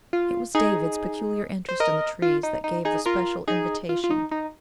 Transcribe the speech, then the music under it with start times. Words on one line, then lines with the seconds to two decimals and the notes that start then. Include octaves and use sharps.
It was David's peculiar interest in the trees that gave the special invitation.
0.13 F4
0.55 D#4 G#4
1.69 C5
1.80 A#4 D#5
2.22 F4
2.43 D#4
2.64 D#4
2.85 D#4 G#4
3.06 F4 A#4
3.48 D#4 G#4
3.89 F4
4.04 F4
4.10 D#4
4.31 D#4